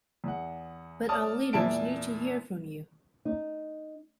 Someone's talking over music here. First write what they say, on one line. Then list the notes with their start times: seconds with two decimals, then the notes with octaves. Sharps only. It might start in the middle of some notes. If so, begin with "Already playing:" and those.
But our leaders need to hear from you.
0.24 E2 F#5
1.09 C#5 D5 A5 D#6 F6
1.53 E2 A#2 E4 A5 D7
3.25 D#4